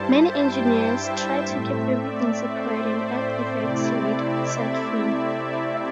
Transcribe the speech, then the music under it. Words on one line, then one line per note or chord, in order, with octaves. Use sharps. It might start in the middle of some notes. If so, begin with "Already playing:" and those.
"Many engineers try to keep everything separate and add effects later," said Finn.
Already playing: G2 G3 E4 C5 A5
G5
E5
A2 A3 C4
D5
C5
C5
C3 A3 C4 E4 D5
E5